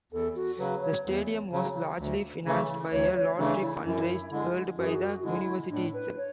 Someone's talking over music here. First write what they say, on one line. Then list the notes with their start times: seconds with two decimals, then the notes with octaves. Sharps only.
The stadium was largely financed by a lottery fund-raiser held by the university itself.
0.12 E2 A4
0.36 F#4
0.59 C#3 F#3 B4
0.82 C#5
1.05 E2
1.52 C#3 F#3
1.98 D2
2.45 C#3 E3 A3
2.92 D2 C#5
3.15 C#5
3.38 C#3 E3 A3 D4
3.61 E4
3.85 F#2 E4
4.31 D3 G#3
4.78 F#2 F#4
4.86 G#4
4.94 F#4
5.20 F#4
5.24 D3 G#3 E4
5.70 A2 D4
5.94 B4
6.17 C#5